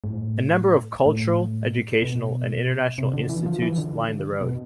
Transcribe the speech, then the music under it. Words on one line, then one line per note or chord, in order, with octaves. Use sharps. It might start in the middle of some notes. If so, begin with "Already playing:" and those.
A number of cultural, educational, and international institutions line the road.
G#2
A2
A2
B2
C3
D3
E3
F3
E3
D3
B2